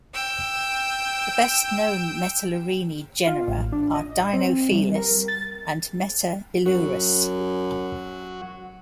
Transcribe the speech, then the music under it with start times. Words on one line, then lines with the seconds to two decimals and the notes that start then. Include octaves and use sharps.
The best known Metalurini genera are "Dinofelis" and "Metailurus".
0.14 G5 E6
3.27 F4
3.48 A1
3.72 D4
3.95 D#5
4.33 C4
4.71 G3
4.95 A#4
5.28 A6
6.66 F#2 F#3 F#4